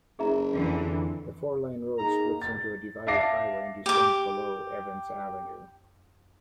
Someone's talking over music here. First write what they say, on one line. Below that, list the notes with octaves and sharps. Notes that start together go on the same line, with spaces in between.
The four lane road splits into a divided highway and descends below Evans Avenue.
F#1 G#4 E5 A#5
F2 D3 E3
A#3 D#4 G#4 A#5
A6
E5 F5 A5 D6 A#6 C7
G4 D6